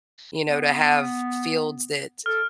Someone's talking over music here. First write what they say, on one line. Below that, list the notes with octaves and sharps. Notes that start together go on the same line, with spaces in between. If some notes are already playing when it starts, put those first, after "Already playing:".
you know, to have fields that
B3
A4 F6